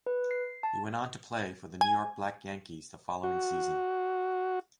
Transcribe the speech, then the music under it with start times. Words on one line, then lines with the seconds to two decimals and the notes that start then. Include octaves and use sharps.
He went on to play for the New York Black Yankees the following season.
0.06 B4
0.31 C7
0.63 A5
1.81 G#5
3.23 F#4